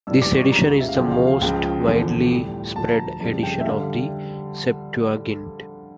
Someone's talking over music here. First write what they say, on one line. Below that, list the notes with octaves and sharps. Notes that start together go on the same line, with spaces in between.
This edition is the most widely spread edition of the Septuagint.
G2 E3 G3 E6
D6
C#6
C#2 C#3 G3 A#5
E5
F5
D2 C#3 F3 G5
F5
F5
C#2 C#3 F3 G5
E2 D3 F3
A2 G3
D2 D3 F3 A5
A#5
F2 C#3 G3 A5
G5
E5
D3 G3 F5